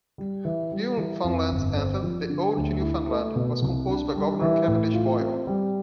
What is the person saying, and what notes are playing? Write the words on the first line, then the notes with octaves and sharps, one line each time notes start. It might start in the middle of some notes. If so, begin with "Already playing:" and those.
Newfoundland's anthem "The Ode to Newfoundland", was composed by Governor Cavendish Boyle.
G3
E3
G3
E3
F2
G1
C4
F3
D3
D2
E4
A3
B2
C2
D4
G3
E3
A2
F4
C4
G3